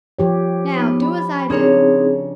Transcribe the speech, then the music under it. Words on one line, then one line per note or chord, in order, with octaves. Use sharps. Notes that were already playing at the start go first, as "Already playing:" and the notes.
Now, do as I do.
F3 G4 C#5
B3 D#4
B5
C#3 C4 D4 D#4 G#4 A#4 C#5